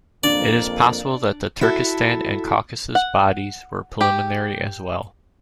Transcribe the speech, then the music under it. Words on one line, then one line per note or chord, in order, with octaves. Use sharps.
It is possible that the Turkistan and Caucasus bodies were preliminary as well.
F2 A#3 D4 D5
E4 F#4 A4
F#5
G4